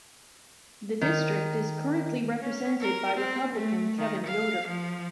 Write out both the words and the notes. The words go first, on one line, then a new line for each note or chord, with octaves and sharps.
The district is currently represented by Republican Kevin Yoder.
D#3
C#4
A#4
C4
A3
D#3
F5
F3